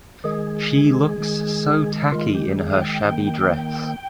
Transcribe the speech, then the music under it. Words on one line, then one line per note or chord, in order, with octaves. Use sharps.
She looks so tacky in her shabby dress.
D#3 G#3 G#4
D#3 G#3
D#3 G#3 F4
G4
G#4
F5
G5
D#3 A#3